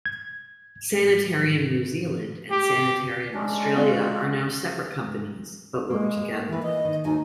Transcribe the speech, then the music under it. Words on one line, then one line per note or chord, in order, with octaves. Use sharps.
Sanitarium New Zealand and Sanitarium Australia are now separate companies, but work together.
G#6
G4
G#3 C#4 D4
C4 F4 F#4 D5
G#3 A#3
A#3
E3 E4 B4
D#5
D#3
D#2 D#4 F#4 G#5